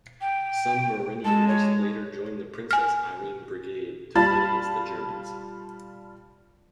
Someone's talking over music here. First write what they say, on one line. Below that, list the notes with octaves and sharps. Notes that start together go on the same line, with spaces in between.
Some Mariniers later joined the Princess Irene Brigade to fight against the Germans.
G5
G#3 A5
C#5
G#5 F6
G3 F4 A5 B5 A6